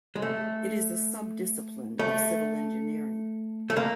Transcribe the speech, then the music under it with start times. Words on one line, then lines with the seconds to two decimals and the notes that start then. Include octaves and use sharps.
It is a sub-discipline of civil engineering.
0.16 G#3
0.22 A3
1.99 A3
3.70 A3
3.77 A#3